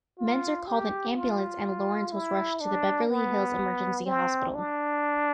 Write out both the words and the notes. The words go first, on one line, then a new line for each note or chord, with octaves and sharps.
Menzer called an ambulance and Lawrence was rushed to Beverly Hills Emergency Hospital.
F4
G4
F4
E4
D4
B3
C4
D4